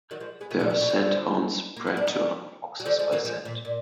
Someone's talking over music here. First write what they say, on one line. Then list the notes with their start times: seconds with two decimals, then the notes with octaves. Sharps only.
They are scent hounds, bred to hunt foxes by scent.
0.11 D#3 F#3
0.20 F3 G#3
0.41 G#3 B3
0.51 B2 D#3
0.60 A#2 D3
0.70 A#2 D3
0.80 B2
0.84 F#3
0.90 D3 F3
1.77 A#3
1.87 B3
1.97 D4
2.07 B3 D#4
2.80 F#3
2.86 D3 F3
2.99 F3 G#3
3.12 F#3 A#3
3.25 F3 G#3
3.45 A#2
3.65 A#2